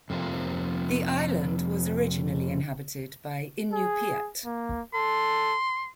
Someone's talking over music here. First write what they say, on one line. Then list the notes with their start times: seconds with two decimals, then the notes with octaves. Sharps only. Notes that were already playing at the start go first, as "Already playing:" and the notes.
The island was originally inhabited by Inupiat.
0.10 F2 C3 F3 A#3
3.73 G#4
4.45 A#3
4.94 A4 C6